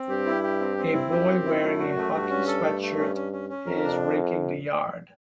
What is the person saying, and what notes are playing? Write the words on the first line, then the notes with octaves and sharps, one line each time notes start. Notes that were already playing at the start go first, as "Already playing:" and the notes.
A boy wearing a hockey sweatshirt is raking the yard.
Already playing: C4
G2 G4
E4
G4
C4
C4
E4
F#2 G4
C4
E4
F#2 A3
F#4
A3
G2 F#4
C#4
A4
A3
A3
C#4
C#4
C#4
C#4
F2 A#4
D4